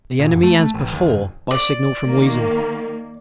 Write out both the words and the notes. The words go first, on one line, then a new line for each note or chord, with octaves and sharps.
The Enemy as before, by signal from Weazle.
A#2
F#2
A3
A3
A1
D#2
F#1
D5
D#3 A#3